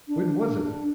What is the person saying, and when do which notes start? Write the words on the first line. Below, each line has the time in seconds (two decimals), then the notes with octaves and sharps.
When was it!
0.08 D4
0.35 D4
0.61 D4